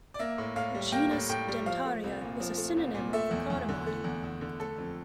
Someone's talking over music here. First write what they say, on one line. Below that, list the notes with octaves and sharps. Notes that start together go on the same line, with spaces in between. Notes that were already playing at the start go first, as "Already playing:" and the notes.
Genus Dentaria is a synonym for "Cardamine".
D5
A#3 E5
A2
A2 F5
G3
A#3 G5
A2
A2 G5
G3
F3 F5
A3
C2
A#2
F3
A3
C2
A#2
A3 E5
E2
E2
D3
A3
E2
E2
D3
A3 A4
F2